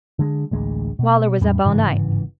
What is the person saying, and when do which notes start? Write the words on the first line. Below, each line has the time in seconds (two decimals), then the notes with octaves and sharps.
Waller was up all night.
0.19 D3 G#3
0.51 A1 D2 G#3
0.99 B2
1.41 E2 A2 G3 C#4
1.64 G1 G#2 C#3 E3